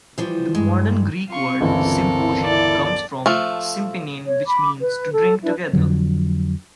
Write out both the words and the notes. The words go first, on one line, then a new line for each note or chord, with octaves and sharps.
The modern Greek word "symposion" comes from "sympinein", which means "to drink together".
E3 F3 G3
G2 G#3
C4 F4 C#6
G1 C#2 E3 A4 A#4
E4 D5
F3 A3
C#5
B5 D6
B4
A4
D4 E4 B4 E5
F2 D3 F#3